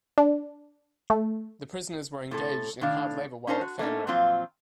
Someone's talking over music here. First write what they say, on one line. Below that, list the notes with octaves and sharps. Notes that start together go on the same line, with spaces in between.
The prisoners were engaged in hard labor while at Fannrem.
D4
A3
A2 C3 A4
A2 D#3 D4 F5
C#4 D#4 A#4 C5 A5
F#4
A3 A#3 C#4 D#4
F2 A#2 F#3 C4 F4